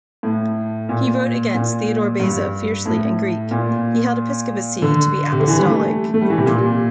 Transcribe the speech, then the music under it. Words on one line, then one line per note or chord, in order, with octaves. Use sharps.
He wrote against Theodore Beza fiercely in Greek; he held episcopacy to be apostolic.
A2
A#2
A#2
G2
A2
A#2
D3
C3
D3
E3
G3
A3
A3
G3
E3
C3
A#2